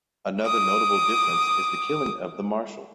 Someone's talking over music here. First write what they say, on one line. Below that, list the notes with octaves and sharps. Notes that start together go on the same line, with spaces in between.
Another notable difference is the killing of the Marshall.
D6 D#6